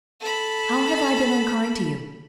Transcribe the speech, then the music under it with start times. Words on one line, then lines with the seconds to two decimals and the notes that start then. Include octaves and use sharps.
"How have I been unkind to you?"
0.21 A4 B5